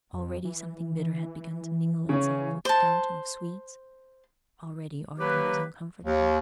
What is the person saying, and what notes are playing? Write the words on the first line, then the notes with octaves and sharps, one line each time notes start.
But already something bitter had begun to mingle itself with the fountain of sweets: already Arthur was uncomfortable.
F2
E3
C#3 C#4
C5 A5
D#3 F#3 A#3 G4 B4
D#2